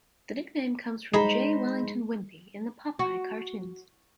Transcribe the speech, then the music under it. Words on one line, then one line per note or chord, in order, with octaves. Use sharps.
The nickname comes from J. Wellington Wimpy in the Popeye cartoons.
G#3 D#4 G#4 C5 B5
F#4